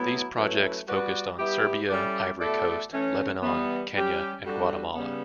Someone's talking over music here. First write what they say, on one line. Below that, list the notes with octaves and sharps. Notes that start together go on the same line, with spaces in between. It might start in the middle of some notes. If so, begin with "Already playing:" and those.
These projects focused on Serbia, Ivory Coast, Lebanon, Kenya and Guatemala.
Already playing: A2 F#3 B3 E4
F#3 A3 C#4 E4 B4
G3 B3 F#4 B4 D5
G3 B3 E4 G4
G3 C#4 E4 A4 D5
B2 A3 E4 A4 D5
E3 A3 C#4
E3 G3 B3
G3 C#4 G4
G3 D4 F#4 A4
C#3 G3 B3